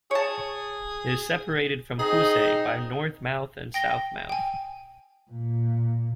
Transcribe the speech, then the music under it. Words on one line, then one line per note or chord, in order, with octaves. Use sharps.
It is separated from Housay by North Mouth and South Mouth.
G#4 C#5 A5
C4 D#4 G#4
G5 A#6 G7
G5 G#5
A#2